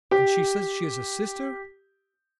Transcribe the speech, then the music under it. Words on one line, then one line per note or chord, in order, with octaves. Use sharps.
And she says she is a sister....
G4 D6